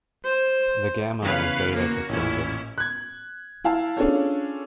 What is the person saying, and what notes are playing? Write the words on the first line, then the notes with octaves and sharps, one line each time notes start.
The Gamma and Theta disbanded.
C5
E2 C#3 B4 C#5 F5
A#3 F#4
A1 A#2 C#4 E4
F#6 G#6
E4 F5 A5
C#4 D4 F4 G#4 A4 C#5